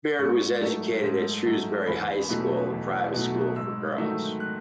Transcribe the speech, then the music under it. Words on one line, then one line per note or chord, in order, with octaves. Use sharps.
Beard was educated at Shrewsbury High School, a private school for girls.
G#2 C#6
F#3 A3 D#4
G#2
F#3 A3 D#4
E2 B5
B2 F#3 A3 D#4
E2
B2 F#3 A3 D#4
G#2 E6
D#3 F#3 A3 D#4 E6
F#6